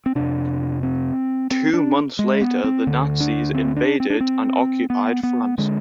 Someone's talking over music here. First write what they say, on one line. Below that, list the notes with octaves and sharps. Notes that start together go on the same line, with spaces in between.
Two months later the Nazis invaded and occupied France.
C4
F2 C3 D4
C4
C4
D4
G#3
B3
C4
D2 D3
D4
C4
D4
C4
D4
C4
B3
B3
D3 G#3